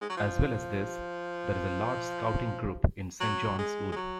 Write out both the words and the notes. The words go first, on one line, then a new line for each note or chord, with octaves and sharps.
As well as this, there is a large Scouting group in Saint Johns Wood.
G#3
F#3
F3
F#3
G#3
G#3
F#3